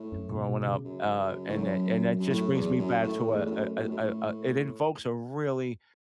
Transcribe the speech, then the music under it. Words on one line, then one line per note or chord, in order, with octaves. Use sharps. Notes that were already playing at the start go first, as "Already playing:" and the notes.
growing up, uh, and that and that just brings me back to a a a a a it invokes a really,
Already playing: A2
F#2
B2
B2
C#3
F#2
F#2
A2
F#2 F#3
F#2
A2
E2
F#2
A2 A3
E2
A2
F#2
B2
A2
F#2
A2